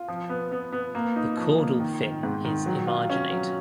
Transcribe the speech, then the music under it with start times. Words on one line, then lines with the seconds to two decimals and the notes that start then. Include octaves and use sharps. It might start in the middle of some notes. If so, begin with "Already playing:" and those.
The caudal fin is emarginate.
Already playing: F4
0.08 F3
0.29 B3
0.52 B3
0.73 B3
0.95 A#3
1.16 D#4
1.37 F3
1.58 A#3
1.80 D#3
2.02 D#3
2.23 G#2
2.45 D#3
2.66 F#3
2.87 F4
3.10 C#4
3.31 F#3